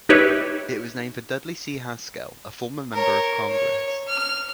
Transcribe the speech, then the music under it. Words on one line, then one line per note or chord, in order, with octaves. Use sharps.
It was named for Dudley C. Haskell, a former member of Congress.
D#4 G4 B4 C#5 E5
A#4 C#5
C#5
F6